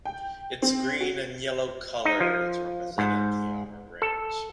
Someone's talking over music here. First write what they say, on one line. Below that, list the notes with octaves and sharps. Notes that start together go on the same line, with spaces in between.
Its green and yellow colors represented the armor branch.
G5
C4
F#4
D#4
F3
G#2
A4